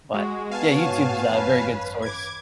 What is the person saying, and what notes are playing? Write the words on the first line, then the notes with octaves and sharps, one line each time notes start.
but yeah, YouTube's a very good source,
G#3 F#4
B3 F#4 F5 G#5 A5
G#2 C#5
G#1 F#2 B4 C#5
D6 G#6